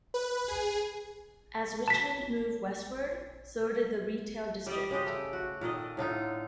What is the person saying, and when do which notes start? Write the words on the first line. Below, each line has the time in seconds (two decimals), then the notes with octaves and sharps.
As Richmond moved westward, so did the retail district.
0.14 B4
0.48 G#4
1.88 A5 B6
4.66 G3 G4 D5 D#5
4.91 C#3 G#3 G4 D#5
5.06 A3
5.33 F#4
5.61 A#2 D#3 A4 D#5
5.97 A2 D3 D#4 F4